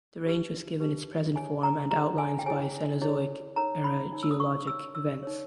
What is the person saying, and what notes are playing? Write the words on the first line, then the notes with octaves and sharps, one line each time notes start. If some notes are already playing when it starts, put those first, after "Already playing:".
The range was given its present form and outlines by Cenozoic era geologic events.
D#4 G4 B4
D#4 G4 B4
E4 G#4 C#5 G#5
A#5
E4 G#4 C#5 A#5
G#5
G5
E4 G#4 C#5 G#5
E4 G#4 C#5
D#4 A#4 C#5 A#5
B5
D#4 A#4 C#5
E6
D#6
C#6
D#4 A#4 C#5 E6
E6
D#4 A#4 C#5